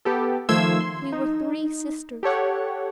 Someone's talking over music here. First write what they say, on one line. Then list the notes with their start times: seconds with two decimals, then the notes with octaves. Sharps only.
We were three sisters.
0.05 B3 G4 A4
0.49 D#3 F3 A3 C6 E6 G#6
0.80 C6
1.12 D#4
2.23 G4 A4 C#5 F#5